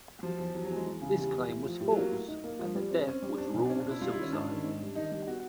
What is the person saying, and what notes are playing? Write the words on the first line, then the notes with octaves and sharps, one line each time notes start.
This claim was false, and the death was ruled a suicide.
F3 F#3
E2 F3
E2 F#3
F#3
E2
G#3
E2
C#3
E2 G3
E2
A2
F3
A2 G3
F#3
A#3
F#3
A2
D#4
A#3
F3
G3
C4
C4 C#4
G3
C4 D4
B1
D4
C4 C#4
D4
B2
E4
G3 F4
E4
D#3 C#4
G#2 D4
D#3
G#2
G3
D#3 D#4
G3
B3 F#4